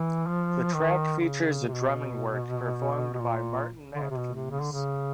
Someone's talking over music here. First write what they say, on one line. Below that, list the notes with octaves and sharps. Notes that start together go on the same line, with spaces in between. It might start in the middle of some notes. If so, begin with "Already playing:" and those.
The track features a drumming work performed by Martin Atkins.
Already playing: E3
F3
D#3
D3
C#3
C3
B2
B2
A#2
D3
C#3
C3
B2
C3
C#3
D3
C#3